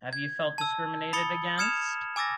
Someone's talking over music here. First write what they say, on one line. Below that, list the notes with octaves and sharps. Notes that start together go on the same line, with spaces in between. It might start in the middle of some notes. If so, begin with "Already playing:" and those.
Have you felt discriminated against?
G#6
A5 E6
B5 D#6 A6 C#7 G7
D#6 F6 G#6 C#7 E7 F7
G#5 D6 E6 A6 A#6